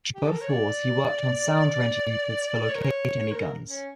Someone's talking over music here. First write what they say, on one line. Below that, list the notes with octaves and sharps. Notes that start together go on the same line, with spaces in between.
During both wars he worked on sound ranging methods for locating enemy guns.
G4
A4
A#4
C#5
D5
D5
C#5
A#4
C#5
A#4
C#4